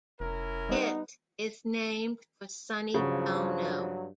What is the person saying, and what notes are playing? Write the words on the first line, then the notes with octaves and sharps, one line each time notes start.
It is named for Sonny Bono.
F1 C#4 E4 A#4
G3 B3 D#4 F#5
G2 C#3 F3 F#3